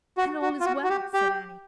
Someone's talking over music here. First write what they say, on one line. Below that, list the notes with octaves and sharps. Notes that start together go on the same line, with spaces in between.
"Then, all is well," said Annie.
F#4
F#4
F4
F#4
F#4
G4
G4